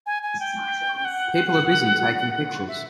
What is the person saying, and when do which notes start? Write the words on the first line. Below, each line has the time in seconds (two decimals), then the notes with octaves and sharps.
People are busy taking pictures.
0.06 G#5
0.23 G#5
0.40 G5
1.05 F#5
2.68 E5